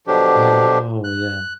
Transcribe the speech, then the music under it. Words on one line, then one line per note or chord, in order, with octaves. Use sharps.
I know, yeah.
B2 D3 F3 F#3 D4 G4
F#6